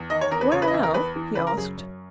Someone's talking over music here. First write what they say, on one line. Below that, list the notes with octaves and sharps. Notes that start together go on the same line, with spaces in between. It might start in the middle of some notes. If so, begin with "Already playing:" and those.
"Where now?" he asked.
Already playing: E2
D#3 D#5
C#5
E2 A#4
B4
C#3 C#5
B4
D#5
E2 E5
A#4
E2 B4
E3
C#3 B4
A#4
F#2 G#4
F#2